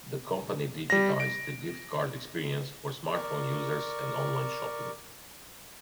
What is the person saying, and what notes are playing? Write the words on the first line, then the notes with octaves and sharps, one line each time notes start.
The company digitized the gift card experience for smartphone users and online shopping.
G3 A#6
D7
A#4 D5 C#6